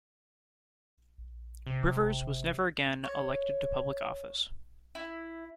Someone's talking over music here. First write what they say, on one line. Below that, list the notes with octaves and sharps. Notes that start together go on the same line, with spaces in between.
Rivers was never again elected to public office.
A#1
C3
G1
C#5
E4